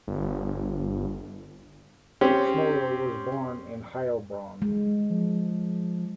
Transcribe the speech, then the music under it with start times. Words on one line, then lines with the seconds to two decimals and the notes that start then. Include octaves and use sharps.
Schmoller was born in Heilbronn.
0.08 G1
2.21 C4 C#4 G4
4.62 G#3
5.10 F3